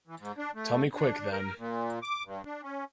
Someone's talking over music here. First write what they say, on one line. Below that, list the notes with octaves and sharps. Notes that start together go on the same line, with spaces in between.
Tell me quick, then.
E3
G#2
D4
A3
D4
A#4
A#2
D6
G2
D4
C#4